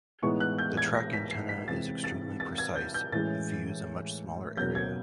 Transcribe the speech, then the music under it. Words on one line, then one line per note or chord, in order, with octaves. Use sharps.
The track antenna is extremely precise, but views a much smaller area.
A2 E3 G#3 B3 D#4 C#6
F#6
G6
G#6
A#6
B6
C7
B6
C3 E3 G#3 C4 A6
A6
A6
G#6
G6
G6
A2 E3 G#3 C#4 A6
B2 F#3 A#3 C#4 G6
G#6